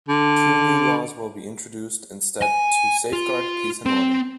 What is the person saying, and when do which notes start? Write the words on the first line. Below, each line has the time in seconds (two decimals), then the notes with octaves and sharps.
Two new laws will be introduced instead to safeguard peace and order.
0.09 D3
2.42 G#5
3.13 F4
3.86 C4 C6